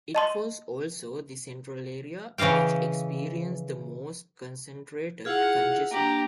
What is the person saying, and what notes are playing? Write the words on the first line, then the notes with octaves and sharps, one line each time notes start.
It was also the central area which experienced the most concentrated congestion.
D#5 A5 C6
C#3 E3 D#5 F5 G5
E4 F4 G#4 F5 F#5
A#3 D4 G4 A#5